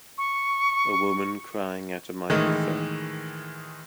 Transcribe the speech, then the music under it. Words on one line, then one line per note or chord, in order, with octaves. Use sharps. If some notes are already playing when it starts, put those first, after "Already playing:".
A woman crying at a microphone.
C#6
A2 D#3 E3 G#3 D#4